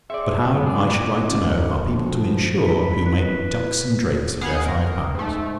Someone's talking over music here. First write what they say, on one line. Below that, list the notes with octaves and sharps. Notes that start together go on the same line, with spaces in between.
But how, I should like to know, are people to insure who make ducks and drakes of their five pounds?
C4 G#4 D5 E5 C#6
F#2 F#3 G#3 B3
G#4 D5
A#2 D5 F#5 G#5
A1 F4 D5
D2 F3
B5
E3 B4
B3 G#4 F5 F#5
A#4
G#2 A3